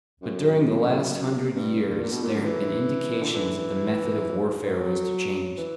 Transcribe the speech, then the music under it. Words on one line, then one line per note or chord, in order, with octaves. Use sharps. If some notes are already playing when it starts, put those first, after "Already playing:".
But during the last hundred years there had been indications that the method of warfare was to change.
F#2
G2
G2
A#2
B2
A#2
F#2
D3
E3
D3
E3
F#3
E3